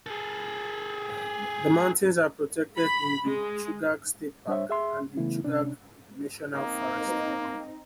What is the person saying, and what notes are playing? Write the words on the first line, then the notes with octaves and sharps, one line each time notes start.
The mountains are protected in the Chugach State Park and the Chugach National Forest.
G#4 A4
B5
G#3
G3 D4 C5 C#5 E5
G#4 E5 C6
C#3 E3 A3 B3 E4
C3 C#4 D4
A#3 C4 D#4